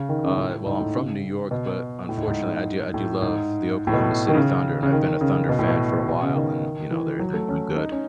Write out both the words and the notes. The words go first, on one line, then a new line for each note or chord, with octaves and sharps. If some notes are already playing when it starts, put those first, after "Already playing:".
Uh, well, I'm from New York, but unfortunately I do I do love the Oklahoma City Thunder, and I've been a Thunder fan for a while and, you know, they're they're doing good.
Already playing: C#3
D#3
C#3
A2
G#2
A2
C#3
B2
A2
G#2
G#2
A2
G#2
A2
B2
D#3
C#3
C#3
D#3
C#3
B2
A2
B2
B2
C#3
D#3
E3
F#3
A3
C#4
D#4
C#4